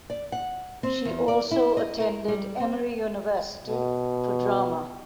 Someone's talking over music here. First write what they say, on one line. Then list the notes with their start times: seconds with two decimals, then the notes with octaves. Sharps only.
She also attended Emory University for drama.
0.10 D5
0.32 F#5
0.83 C4
1.05 E2
1.28 D5
1.51 E4
1.77 D#5
2.00 A#4
2.28 G3
2.60 C4
3.67 B2